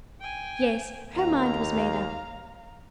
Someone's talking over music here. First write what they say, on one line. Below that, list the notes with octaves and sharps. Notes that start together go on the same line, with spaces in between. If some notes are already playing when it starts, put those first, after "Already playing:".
Yes; her mind was made up.
G5 G#5
D#2 F5 A#5